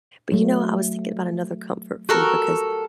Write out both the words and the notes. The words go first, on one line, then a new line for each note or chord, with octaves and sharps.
But you know what? I was thinking about another comfort food, because
F#3 A3
F#4 G4 A4 A#4